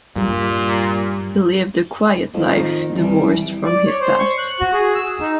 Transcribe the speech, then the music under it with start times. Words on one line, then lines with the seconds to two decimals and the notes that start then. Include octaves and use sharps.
He lived a quiet life divorced from his past.
0.16 G2 A#2 G3
2.34 F2 A2 D#3
2.97 C2 E3 G3
3.64 D5
3.86 C#5
4.01 C5
4.19 C#6
4.38 F#6
4.60 F#4
4.73 G#4
4.95 E6
5.20 D#4